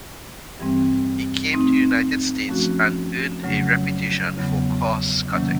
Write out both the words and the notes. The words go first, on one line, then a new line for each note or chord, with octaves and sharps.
He came to the United States and earned a reputation for cost cutting.
G2 E3 G3 C4
A3 C4 D#4
F3 A3 C#4 F#4
F2 C#3 F#3 A3 C#4
E2 C#3 F#3 B3
C3 D#3 F#3 A#3 C#4